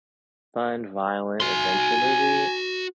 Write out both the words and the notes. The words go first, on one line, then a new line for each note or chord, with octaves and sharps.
fun, violent adventure movie
F#4 G#5 C6